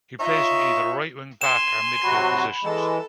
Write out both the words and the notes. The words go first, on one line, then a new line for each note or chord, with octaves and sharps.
He plays in either right wing back or midfield positions.
D#4 F4 C#5 E5
G#5 C6 E7
C3 F#3 F#4 B5
E3 G#3 A4